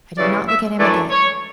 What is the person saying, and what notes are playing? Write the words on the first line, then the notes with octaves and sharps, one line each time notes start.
I did not look at him again.
C#3 E3 G3 D5
E5
F#2 E3 A3 D4 D5
C#5